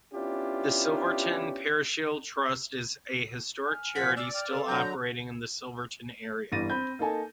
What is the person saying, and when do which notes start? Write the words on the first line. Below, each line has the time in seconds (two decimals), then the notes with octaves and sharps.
The Silverton Parochial Trust is a historic charity still operating in the Silverton area.
0.13 B3 C#4 D4 E4 F4 G4
3.65 G#5 F6
3.95 A#2 F3 F#5 B6
4.17 D5 E6
4.34 G5 F6
4.50 A4 B4 F5
4.68 D3 F#3 A#5 G6
6.52 G1 E3 G3 A6 A#6 D#7
6.70 C4 B5 G6
6.99 A#3 D#4 A4 G#5